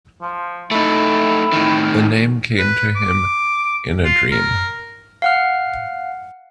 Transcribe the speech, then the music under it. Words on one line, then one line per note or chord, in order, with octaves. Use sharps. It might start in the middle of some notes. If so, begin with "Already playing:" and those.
The name came to him in a dream.
F3
A3 D#4 E4
A2 D#3
B4
D6
F4
A#4
F5 F#5 F6